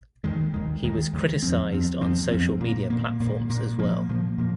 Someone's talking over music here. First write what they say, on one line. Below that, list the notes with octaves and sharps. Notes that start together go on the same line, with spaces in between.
He was criticised on social media platforms as well.
D#2 D#3 G#3
D#2 D#3 G#3
D#2 D#3 G#3
D#2 D#3 G#3
F2 F3 C4
F2 F3 C4
F2 F3 C4
F2 F3 C4
A#2 A#3
A#2 A#3
A#2 A#3
A#2 A#3
A#2 F3 A#3
A#2 F3 A#3
A#2 F3 A#3